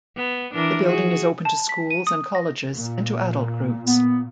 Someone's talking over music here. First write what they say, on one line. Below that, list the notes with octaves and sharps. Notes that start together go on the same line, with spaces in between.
The building is open to schools and colleges and to adult groups.
B3
E3 D4 A#4
F#4 G#4
A5
B6
D#7
D#6
A#6
A#2
B3